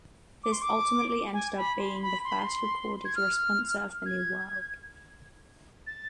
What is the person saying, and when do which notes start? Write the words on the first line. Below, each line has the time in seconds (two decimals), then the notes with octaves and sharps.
This ultimately ended up being the first recorded responsa of the New World.
0.43 D6
0.52 C6
0.61 D6
1.33 G#5
1.56 B5
1.78 C6
2.01 B5
2.24 C6
2.31 B5
2.38 C6
3.05 G#6
3.15 F6
4.05 G#6
5.86 A6